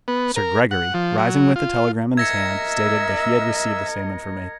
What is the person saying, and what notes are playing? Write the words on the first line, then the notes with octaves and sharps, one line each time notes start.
Sir Gregory, rising with the telegram in his hand, stated that he had received the same information.
B3
A#4
F#5
F3
F#3
F4
A#4 D#5 E5 E6 G#6 A#6 C#7